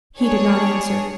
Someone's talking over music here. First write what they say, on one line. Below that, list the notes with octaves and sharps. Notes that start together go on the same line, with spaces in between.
He did not answer.
D4 G#4 C#5